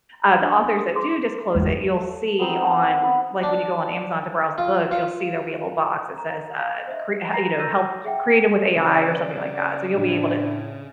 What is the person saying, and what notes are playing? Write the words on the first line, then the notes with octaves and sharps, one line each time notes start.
uh, the authors that do disclose it, you'll see on like when you go on Amazon to browse the books, you'll see there'll be a little box that says, uh, "Cre huh you know, helped created with AI" or something like that. So you'll be able to
D4
G#4 C6 D6
G1 E2 G#3
A3
B3 C4 D#4
B3 B4
D4
F4
F4
A#5
F5
C5 D#5 E5
A#5 B5 A#6 C7
E6 F#6 G6 A6 A#6 D#7
G#4 E5 F#5 G5
C#3 D5
A2 D4 E4